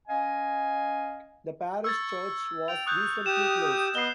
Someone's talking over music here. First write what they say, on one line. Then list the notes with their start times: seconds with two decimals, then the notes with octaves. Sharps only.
The parish church was recently closed.
0.07 C#4 D#5 F5 G#5
1.84 C#6 E6 G#6 A6
2.68 G5 F7
2.86 C#6 D#6 F#6 G6
3.26 G4 D#6 E7
3.95 B3 D#5 C7 G7